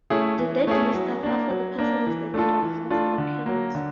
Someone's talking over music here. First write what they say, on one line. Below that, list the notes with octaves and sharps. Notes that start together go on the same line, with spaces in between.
The date listed after the person is the date of first occurrence.
A3 C#4 E4 G#4
E3
A3 C#4 E4 G#4
F#3
A#3 D4
F#3
A#3 D4
E3
A3 D4 F4 A4
E3
A3 D4 F4 A4
D3
F#3 A#3
D3